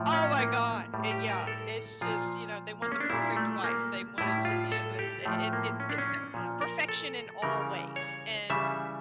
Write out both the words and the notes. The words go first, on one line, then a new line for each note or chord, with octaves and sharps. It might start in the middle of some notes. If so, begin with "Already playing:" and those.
Oh my God, eh yeah. It's just you know, they want the perfect wife. They wanted to, you know, the i i it's it's the perfection in all ways. And
Already playing: A2 F3
C#4
A#3
A2 G3
G4
A#4
A4
A#2 F3 F4
A#3
C#4
D4
A#2 G3 E4
A3
A#3
A2 G3 E4
F4
A4
G4
A2 F3 A3
A#3
C#4
D4
C#4
A#2 F3
A#4
A4
C#3 E3 G3 A#4
C#5
C#3 E3 G3 E5